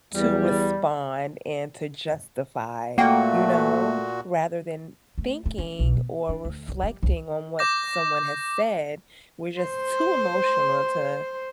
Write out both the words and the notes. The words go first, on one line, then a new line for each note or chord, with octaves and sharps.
to respond and to justify, you know? Rather than thinking or reflecting on what someone has said, we're just too emotional to
E2 G3
A#2 A3 A#3 F#4 F#5 G5
A3
A3
C#4
B1
B3
D4
D2
C2
G3
C2
D6 G6 A#6
C5 C6